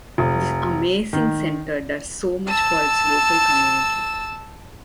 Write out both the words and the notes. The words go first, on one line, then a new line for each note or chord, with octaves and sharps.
This amazing centre does so much for its local community.
F1
D#3
A5 E6